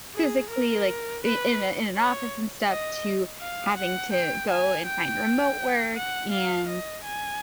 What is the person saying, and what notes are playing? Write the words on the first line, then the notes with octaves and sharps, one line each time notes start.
physically, like, i in a in an office and stuff to having to go and find remote work, and
G#4
A#4
B4
C#5
D#5
F5
F#5
G5
G#5
G5
F#5
F5
D#5
G#5